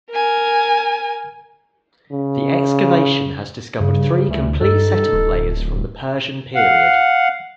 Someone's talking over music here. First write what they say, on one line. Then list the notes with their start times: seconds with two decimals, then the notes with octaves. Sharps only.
The excavation has discovered three complete settlement layers from the Persian period.
0.10 A#4 G#5
2.12 C#3
3.80 G2 C#3
4.29 D2 E3 G3 A3
4.61 G2 D#4 A4
5.13 D1
6.55 F5 F#5